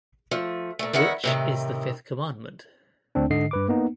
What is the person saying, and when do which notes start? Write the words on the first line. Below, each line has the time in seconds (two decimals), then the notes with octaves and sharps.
Which is the fifth commandment?
0.31 F3 A3
0.79 A#2 A3
0.93 E2 D#3 E4 A4 F#5
1.24 A2 C3 D#3
3.15 D2 C4 D4
3.30 G#2 D3 D#5 C7
3.51 G2 B4 D6
3.68 A#3 B3 D#4